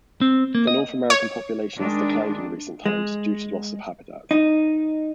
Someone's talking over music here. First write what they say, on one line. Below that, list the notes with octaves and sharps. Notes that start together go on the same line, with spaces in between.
The North American population has declined in recent times due to loss of habitat.
C4
A#3
D#5
C#5
D#3 G#3 D4
G#3
D#4